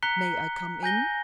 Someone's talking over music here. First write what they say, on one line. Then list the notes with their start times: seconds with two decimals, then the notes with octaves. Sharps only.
"May I come in?"
0.02 A#5 F#6 B6 C#7 G7
0.83 G#5 G6 A#6 G7